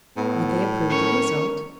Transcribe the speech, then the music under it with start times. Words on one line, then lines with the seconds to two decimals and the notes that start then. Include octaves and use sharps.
Would they approve the result?
0.17 A2 B3
0.89 C#4 A#4 C#5